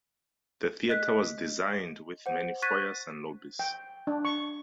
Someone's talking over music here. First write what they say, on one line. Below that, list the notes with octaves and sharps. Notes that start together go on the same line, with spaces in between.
The theatre was designed with many foyers and lobbies.
D#5 F#6 B6
C5 F#5
C#6 F#6 G#6 A6 B6 D#7
G5
D4
C#6